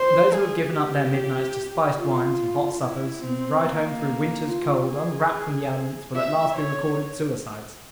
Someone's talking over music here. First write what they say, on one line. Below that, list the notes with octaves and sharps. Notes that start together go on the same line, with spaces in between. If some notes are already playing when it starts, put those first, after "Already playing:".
Those who have given up their midnights to spiced wines, and hot suppers, and ride home through winter's cold, unwrapped from the elements, will at last be recorded suicides.
Already playing: C5
G#4
G4
F4
E4
C4
A#3
F4
G#4
E5
C#5